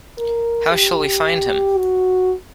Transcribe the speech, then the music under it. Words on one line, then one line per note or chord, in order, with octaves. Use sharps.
How shall we find him?
A#4
G4
F#4